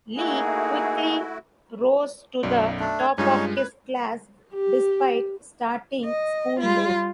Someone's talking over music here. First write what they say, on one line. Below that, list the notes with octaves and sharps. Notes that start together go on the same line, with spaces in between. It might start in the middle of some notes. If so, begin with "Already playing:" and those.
Li quickly rose to the top of his class despite starting school late.
A3 A#3 D#4 E4 F#4 G#4
B1 F#2 D5
A3 D4
G#6
G2 G#3 C#4 D#4 F4 C#5
B4
G4
D#5
G3 F4